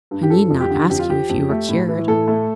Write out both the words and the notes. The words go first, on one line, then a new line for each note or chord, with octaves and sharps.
I need not ask you if you were cured.
G2
G4
F3 A4
F2
G4
D3
F2 G4
F4
F3 G4
F2
A3
A2
E3
A2 A4
A3